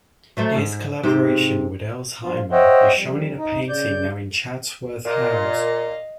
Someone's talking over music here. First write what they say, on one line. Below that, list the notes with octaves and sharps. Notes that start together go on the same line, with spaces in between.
His collaboration with Elsheimer is shown in a painting now in Chatsworth House.
F#3 A3 C5
G#2
G#2 C3 G4 C5
G2 F3 F4
C5 C#5 D#5 E5 F#5 G5
F2 G3
D#4
C#3 D5 G6
A#2 D#5 F5